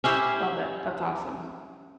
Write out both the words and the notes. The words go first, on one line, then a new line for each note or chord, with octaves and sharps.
Love it. That's awesome.
C#4 E4 G4 C5